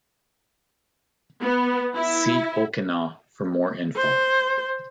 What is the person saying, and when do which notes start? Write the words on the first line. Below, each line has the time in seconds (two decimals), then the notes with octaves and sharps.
See 'okina for more info.
1.44 B3
1.96 E4
3.96 C5